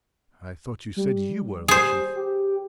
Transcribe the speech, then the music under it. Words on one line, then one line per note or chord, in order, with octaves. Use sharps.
"I thought you said you were the chief?"
G3
G3 G#4 C5
G4